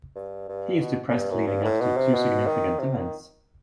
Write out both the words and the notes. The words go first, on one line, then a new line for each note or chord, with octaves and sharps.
He is depressed leading up to two significant events.
G2
G2
B2
F#2
G2
F#2
G2
A2
B2
C3
B2
D#3
C3
D#3